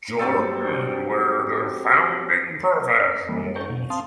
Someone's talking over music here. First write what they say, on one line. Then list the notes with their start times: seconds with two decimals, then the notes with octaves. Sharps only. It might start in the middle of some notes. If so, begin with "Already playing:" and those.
Jordan were the founding professionals.
0.19 G2 F#3 C4 A4
3.29 E3 G3 A#3
3.44 G3 A4 A#4
3.56 A5 A#5 C#6 G6
3.70 B2
3.90 C4 F5 A5 C6 D#6